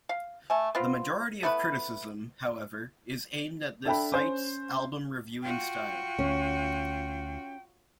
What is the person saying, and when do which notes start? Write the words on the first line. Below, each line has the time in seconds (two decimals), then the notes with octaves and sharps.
The majority of criticism, however, is aimed at the site's album reviewing style.
0.09 F5
0.50 A3 G#5
0.75 B3 C4 F4
1.43 A3 B3 E4 B4
3.85 D4 A4 E5 G5 A5 B5
4.12 C#4 C5
5.42 F4 F#4 G5
6.19 D2 C#4